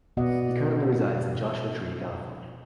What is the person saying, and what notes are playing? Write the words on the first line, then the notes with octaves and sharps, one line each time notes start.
He currently resides in Joshua Tree, California.
B2 B3 F#4 D5 D#5 F#5